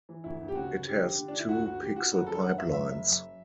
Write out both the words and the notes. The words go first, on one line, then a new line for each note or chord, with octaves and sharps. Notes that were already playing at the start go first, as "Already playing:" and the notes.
It has two pixel pipelines.
E3
D2 E4
D2
G4
C#3 F#4
C#3
D3 G4
D3
D3
D4
D3
E4
D2 F#4
D2 F#4
D3 G4
D3 F#4
F#1 F#4
F#2 A4
D3 F#5
F#1 E5
F#1 E5
F#1
F#2